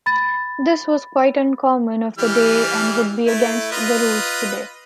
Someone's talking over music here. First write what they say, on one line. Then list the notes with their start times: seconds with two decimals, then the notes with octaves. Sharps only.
This was quite uncommon of the day and would be against the rules today.
0.06 B5 A6
2.18 E3 G3 F6
3.26 A3 E4
3.72 F4 B4 D#5